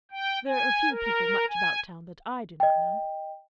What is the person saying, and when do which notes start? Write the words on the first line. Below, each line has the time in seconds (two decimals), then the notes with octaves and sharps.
There are few people much about town that I do not know.
0.12 G5
0.47 G#5
0.91 A#4
1.49 G#5
2.60 D#5 G5